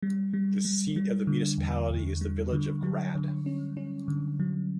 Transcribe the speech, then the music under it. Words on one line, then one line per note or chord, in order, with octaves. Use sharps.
The seat of the municipality is the village of Grad.
G3
G3
G3
G3
D3
E2
E2
G3
D3
F#3
D3
C#4
C#4
D3
F#3